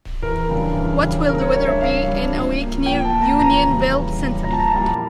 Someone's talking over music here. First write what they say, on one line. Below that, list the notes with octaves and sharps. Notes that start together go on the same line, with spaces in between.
What will the weather be in a week near Unionville Center?
E2 A#4
C#3 G3 D4
E2
C#3 G3 D4
C#3 A#4
C#5
G3 D4
E5
C#3 F5
G3 D4
A#2
F3 A#3
A#2 G5
A5
F3 A#3
A#5
E2 A#5
C#3 G3
E2
C#3 G3
A#2 A#5
A5
A#5
G3 A#3 E4 A5